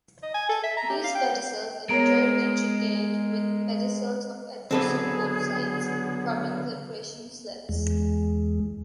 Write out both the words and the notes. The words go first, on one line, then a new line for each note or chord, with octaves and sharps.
These pedicels interdigitate with pedicels of adjacent podocytes forming filtration slits.
D#5
G#5
A4
E5
A#5
G4
F5
G5
G#3 B3 A#4 C#5 A#5 D7
D3 F#3 B3 C4 G#4 A4 B4
E2 G#3